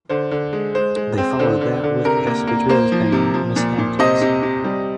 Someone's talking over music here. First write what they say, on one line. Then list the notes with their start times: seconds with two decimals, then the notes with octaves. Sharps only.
They followed that with the espadrilles brand, Miss Hamptons.
0.09 D3 C5
0.31 D3
0.53 G#3
0.75 G#3 C5
0.96 G#3
1.18 C4
1.39 D3 C5
1.61 D3
1.84 D3
2.05 C3 A#4
2.27 A#3
2.47 A#3
2.69 A#3 C5
2.92 F3
3.12 C3
3.34 F3
3.56 A#2
3.78 A#2
3.99 C3 C5 D#5
4.22 C3
4.43 C3
4.64 G3